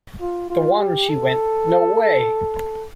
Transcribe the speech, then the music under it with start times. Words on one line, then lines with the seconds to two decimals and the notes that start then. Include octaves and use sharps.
The one she went.. no way!
0.21 F4
0.50 F4
0.79 G4
1.09 A4